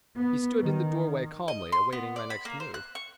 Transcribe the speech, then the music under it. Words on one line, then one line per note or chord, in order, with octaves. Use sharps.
He stood in the doorway calmly awaiting my next move.
B3
D#3
D#5
C6
B3
D5
B5
A#3
C5
F#6
C#6